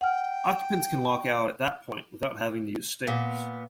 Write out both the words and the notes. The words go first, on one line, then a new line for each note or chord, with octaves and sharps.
Occupants can walk out at that point without having to use stairs.
F#5 G5 F6
A#2 B3